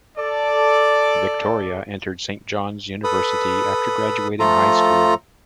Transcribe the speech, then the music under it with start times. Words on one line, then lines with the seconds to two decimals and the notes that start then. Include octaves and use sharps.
Victoria entered Saint Johns University after graduating high school.
0.17 A4 D5
3.04 A4 B4 B5 D#6
4.40 F3 A3 F4 A4 A#5